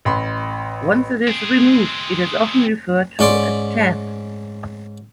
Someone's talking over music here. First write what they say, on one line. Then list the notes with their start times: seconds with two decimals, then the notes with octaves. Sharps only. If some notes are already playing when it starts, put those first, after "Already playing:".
Once it is removed it is often referred to as chaff.
0.05 A1 B5 C6
1.28 C4 G#4
3.19 G#2 C#4 D5 C6